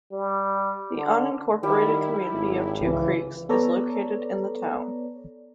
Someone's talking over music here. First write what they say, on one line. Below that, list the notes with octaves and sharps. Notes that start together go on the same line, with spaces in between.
The unincorporated community of Two Creeks is located in the town.
G3
D3
D#3 G3 E4
G#1
C2 C#3 E3
B3 A4 B4 C#5 D5 A#5